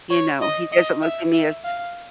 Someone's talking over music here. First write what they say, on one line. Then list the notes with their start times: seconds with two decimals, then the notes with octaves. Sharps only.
you know, he doesn't look at me as
0.10 C#5
0.42 D#5
0.72 D#5
1.02 E5
1.33 E5
1.64 F5